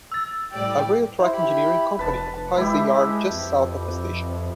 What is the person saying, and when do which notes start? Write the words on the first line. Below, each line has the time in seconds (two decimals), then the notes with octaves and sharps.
A rail track engineering company occupies the yard just south of the station.
0.12 E6 A6
0.51 A2 G3 D5 G5
1.19 E4 C5
1.33 E4 G4 B5
1.99 F1 B4 A5
2.57 G#3 E4 G4
3.31 F2